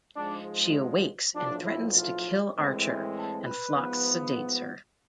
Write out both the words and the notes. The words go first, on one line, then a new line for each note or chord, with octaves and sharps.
She awakes and threatens to kill Archer, and Phlox sedates her.
G#2 F3 G#3 D4
B1 A2 F3 D4
E4
F4
A2 E3 G#3 C4
A4
B4
G#2 F3 B3